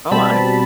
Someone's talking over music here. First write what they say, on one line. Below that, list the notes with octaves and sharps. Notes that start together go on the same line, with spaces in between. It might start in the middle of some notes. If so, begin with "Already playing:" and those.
Oh my.
B2 G3 C4 A5 B5